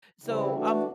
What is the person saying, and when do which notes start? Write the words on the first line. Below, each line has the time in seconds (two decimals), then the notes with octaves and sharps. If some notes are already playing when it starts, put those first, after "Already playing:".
so, um,
0.24 C#3 E3 G3 C4 E4
0.54 E3 A3 D4 F#4